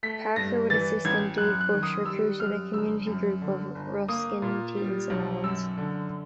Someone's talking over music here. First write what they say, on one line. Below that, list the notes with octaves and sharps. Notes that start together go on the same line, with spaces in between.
Parker with assistant Dave Bush recruited a community group of Ruskin teens and adults.
A3 B6
G2 A#6
E3 A6
A1 G#6
F#2 F#6
F#6
D#3
D#6
G3 E6
F#2 F6
G1 E6
F#2
D3
G1
A#3 D#6
A#2
G3
B1
F#2 E6
D3